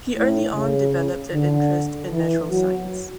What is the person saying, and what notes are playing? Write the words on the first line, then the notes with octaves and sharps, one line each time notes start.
He early on developed an interest in natural science.
A2
C#3
D3
E3
F#3